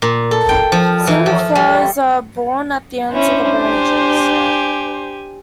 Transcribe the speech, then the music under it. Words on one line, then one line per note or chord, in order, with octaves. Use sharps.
Single flowers are borne at the ends of the branches.
A#2
A4
G5
F3
E3
F3
G3
C#4 D4 E4 C5
G4 G#5